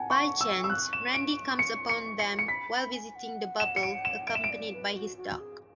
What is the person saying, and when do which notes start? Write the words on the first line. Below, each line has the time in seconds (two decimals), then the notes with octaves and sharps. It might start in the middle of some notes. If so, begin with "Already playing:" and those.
By chance, Randi comes upon them while visiting the bubble, accompanied by his dog.
Already playing: F#5 G#5 A5
0.10 C#6
0.41 E6
0.64 E6
0.70 C#6 F#6
0.93 E7
1.14 D7
1.59 C#7
1.89 C#7
2.19 C#7
2.39 C#7
2.48 B5 B6
2.71 B5
2.93 G#5
3.16 F#5
3.60 E7
3.76 C#7
3.83 D7
4.05 E7
4.27 E5 D7
4.35 E7
4.44 D7
4.51 D5
4.73 B4
4.95 F#4
5.17 F#4
5.40 G#4